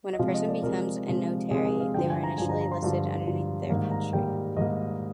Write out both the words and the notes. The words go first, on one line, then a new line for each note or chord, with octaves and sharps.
When a person becomes a notary, they were initially listed underneath their country.
D#5
C3 F3 G#3 F5
D#5
D5
C3 F3 G#3 A#4
C3 F3 G#3
C3 F3 G#3 G#4
G#4
F5
G2 D3 F3 G5
G#5
A#5
G2 D3 F3 G#5
A#5
A#5
C6
G2 D3 F3
G2 D3 F3
G#2 D#3 G3 A#3 A#5
A#5
G#2 D#3 G3 A#3 G5
G#2 D#3 G3 A#3 D#5